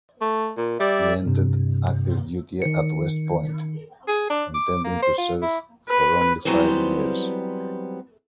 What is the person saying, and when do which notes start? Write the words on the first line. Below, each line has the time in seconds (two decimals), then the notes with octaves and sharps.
He entered active duty at West Point, intending to serve for only five years.
0.21 A3
0.57 A#2
0.80 G3 D5 E5
1.26 G2 C3
2.62 D#3 C#7
4.08 G#4
4.30 D4
4.54 D6
4.84 A#3
5.02 C5
5.18 F4
5.42 E4
5.89 B4
6.45 E3 F#3 G3 B3 C4 C5